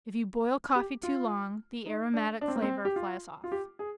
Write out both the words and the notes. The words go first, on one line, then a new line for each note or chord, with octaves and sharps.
If you boil coffee too long, the aromatic flavor flies off.
G4
F4
D#4
D4
D4
C4
A#3
C4
G4
F4
F4
G4
G#4